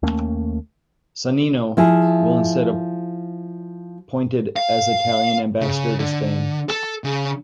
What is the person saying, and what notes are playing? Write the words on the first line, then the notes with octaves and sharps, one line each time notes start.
Sannino will instead appointed as Italian ambassador to Spain.
D#2 A3 A#3 C#4
F3 E4 G#4
F5
C#3
D3
A4
C#3